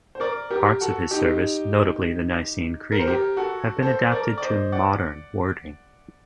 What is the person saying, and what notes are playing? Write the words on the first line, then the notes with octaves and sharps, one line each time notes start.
Parts of his service, notably the Nicene Creed, have been adapted to "modern" wording.
C5
A#4 D5
G4 A#4
F#4 A4
D#4 G4
A#4
C5
G4 A#4
F#4 A4
A4 C5
A#4 D5
D5
C5 D#5
D5 F#5